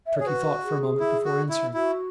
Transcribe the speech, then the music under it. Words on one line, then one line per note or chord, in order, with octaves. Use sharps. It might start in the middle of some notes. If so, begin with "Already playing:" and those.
Turkey thought for a moment before answering.
E5
G#4 C#5
F#4 B4
G#4
E4
F#4
E4
E4 F#4